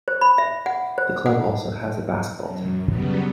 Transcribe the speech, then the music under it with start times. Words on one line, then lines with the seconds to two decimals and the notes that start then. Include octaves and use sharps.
The club also has a basketball team.
0.08 C5
0.21 B5
0.38 E5
0.66 F#5
0.98 C5
1.26 F#5
2.44 F#2
2.88 C#3 F#3 G3 B3